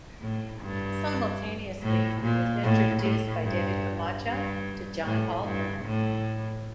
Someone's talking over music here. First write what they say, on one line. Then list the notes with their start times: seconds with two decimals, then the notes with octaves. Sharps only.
Simultaneously he was introduced by David Camacho to John Paul Firman.
0.20 A2
0.61 G2
1.82 A2
2.22 A#2
2.63 A2
3.03 A2
3.44 G2
4.24 G2
5.05 A2
5.45 G2
5.85 A2